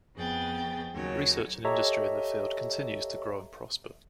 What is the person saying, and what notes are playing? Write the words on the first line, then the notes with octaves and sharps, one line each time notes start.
Research and industry in the field continues to grow and prosper.
F2 B3 G#4 G5 A6
D#2 C#3 F#3 C#5
G4 A4 C#5 D#5 E5 A#5